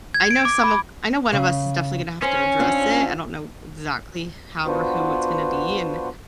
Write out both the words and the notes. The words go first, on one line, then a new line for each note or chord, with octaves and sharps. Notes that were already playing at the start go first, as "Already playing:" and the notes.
I know some of I know one of us is definitely gonna have to address it. I don't know exactly how or who it's gonna be, and
G#6
D7
D6
B5
C#3
C#4 C5
C4 D4 F4
B3 D4 F4 F#4 B4 C5